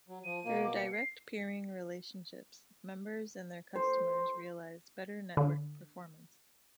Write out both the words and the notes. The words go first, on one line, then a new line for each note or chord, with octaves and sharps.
Through direct peering relationships, members and their customers realize better network performance.
F#3
F3 D#7
B2 A#3
D6
C#7
C7
C5
D3